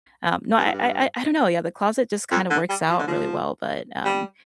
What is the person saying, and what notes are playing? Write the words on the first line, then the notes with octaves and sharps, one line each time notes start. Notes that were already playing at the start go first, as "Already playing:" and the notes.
um No, I I I don't know, yeah, the closet just kinda works out really well, but, um,
G2
A2
G2
F2
D3
G3
F3
D3
F3
G3